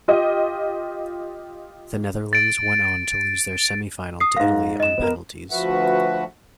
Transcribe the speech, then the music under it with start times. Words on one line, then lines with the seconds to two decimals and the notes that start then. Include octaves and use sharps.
The Netherlands went on to lose their semi-final to Italy on penalties.
0.08 F4 G4 D#5
2.33 A6 D7
4.20 D#6 C7
4.37 G#2 F5 A#6
4.80 D#5 E7
4.98 B3 A#4
5.51 D2 F3 F#4 B4 E5 F#5